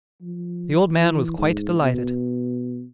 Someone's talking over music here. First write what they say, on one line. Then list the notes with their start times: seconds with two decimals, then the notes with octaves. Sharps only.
The old man was quite delighted.
0.21 F3
0.95 E3
1.38 G#2
1.81 B2